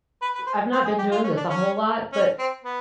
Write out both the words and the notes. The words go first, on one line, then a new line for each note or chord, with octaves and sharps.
I've not been doing this a whole lot, but
B4
B4
C5
C5
G#4
G4
F4
C#4
D4
C#4
C#4
C4
B3